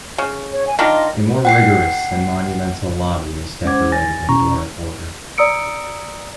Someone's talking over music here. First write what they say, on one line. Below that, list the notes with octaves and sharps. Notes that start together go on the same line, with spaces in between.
A more rigorous and monumental lobby is decorated in Doric order.
C#3
C#5
G#5
D#3 D4 F4 D#5
F#5 G5 C7
G#3 C#4 C5 F#5 D6 G#6
G#5 A6 A#6
B2 C#4 A#5 C#6
D5 A#5 D#6 E6 C#7 D7